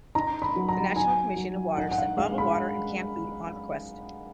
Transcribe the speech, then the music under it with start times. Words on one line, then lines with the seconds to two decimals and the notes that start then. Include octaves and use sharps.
The National Commission of Water sent bottled water and canned food upon request.
0.15 D#4 A#5
0.42 B5
0.56 F#3
0.69 A#5
0.96 D#4 G#5
1.36 F#3
1.76 D#4 F#5
1.91 F#5
1.98 F5
2.17 G#3 F5
2.38 B5